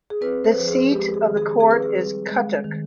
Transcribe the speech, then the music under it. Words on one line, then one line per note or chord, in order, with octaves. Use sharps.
The seat of the court is Cuttack.
G#4
C4 B4
C5
B4
F3 C5
G#4
G#3 G4
G#4
D#3
G#4
C4 G#4
B4
G#4
G3
G#3
D#3